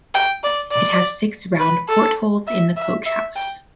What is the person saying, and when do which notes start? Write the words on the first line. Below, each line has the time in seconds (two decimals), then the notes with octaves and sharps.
It has six round portholes in the coach house.
0.15 G5
0.44 D5
0.72 D5
1.60 B4
1.89 A4
2.47 E5
2.77 E5
3.06 E5
3.36 G5